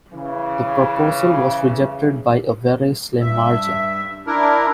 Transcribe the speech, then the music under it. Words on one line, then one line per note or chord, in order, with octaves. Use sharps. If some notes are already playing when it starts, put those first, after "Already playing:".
The proposal was rejected by a very slim margin.
C#3 E3
G2 E5
D4 E4 A#4